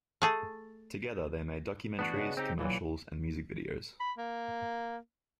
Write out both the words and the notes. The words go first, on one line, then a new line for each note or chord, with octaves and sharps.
Together they made documentaries, commercials and music videos.
A3 G#4 A4
E3 A3 B3 D4 F#4 A4
C#3 G#4 D#5
C4 D#4 G4
B1 A#2 E3 F#3 A4
B5
A#3